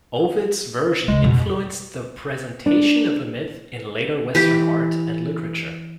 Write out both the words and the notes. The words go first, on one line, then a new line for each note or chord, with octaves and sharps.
Ovid's version influenced the presentation of the myth in later Western art and literature.
C#2 G#3
F2 B2
D4
E3 G4